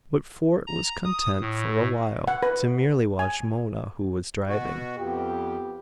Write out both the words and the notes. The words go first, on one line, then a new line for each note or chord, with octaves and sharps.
But Fort was content for a while to merely watch Mona, who was driving.
A#5
D#6
A2
F#5
B4
G#5
B2 F#4
F2 B3 F4 G4